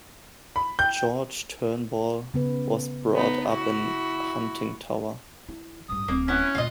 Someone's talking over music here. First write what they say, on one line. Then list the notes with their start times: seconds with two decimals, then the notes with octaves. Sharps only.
George Turnbull was brought up in Huntingtower.
0.56 B5
0.79 G5 G6
2.34 C#3 B3 B4
3.14 B3 D#4 A4
3.48 E4 F#4
5.48 E4
5.89 A1 G2 D#6
6.08 D1 A#3 C4
6.28 B3 C#4 E4
6.55 D2 A#2 F4 D#5